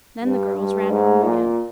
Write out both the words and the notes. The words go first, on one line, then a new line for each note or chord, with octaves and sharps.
Then the girls ran home again.
G2
G2
G#2
A#2